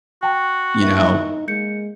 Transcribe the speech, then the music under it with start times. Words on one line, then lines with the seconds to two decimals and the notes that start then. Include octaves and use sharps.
you know,
0.23 F#4 G5 A5
0.82 A#3 D#4 E4
1.48 G#3 A#3 G6 C#7